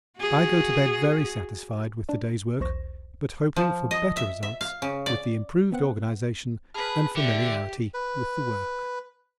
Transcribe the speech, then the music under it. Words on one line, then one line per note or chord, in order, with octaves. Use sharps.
I go to bed very satisfied with the day's work, but hoping for better results with the improved organisation and familiarity with the work.
F#4 G#4
D4 D5
B1 E2 C5 C#6 A#6 E7
F3
D#5
E5
E5
F5
C#3
D5
B3 C4 F#5
G#4 B4 A5 B5 F6
D3 G4 D5 E5 D6
B4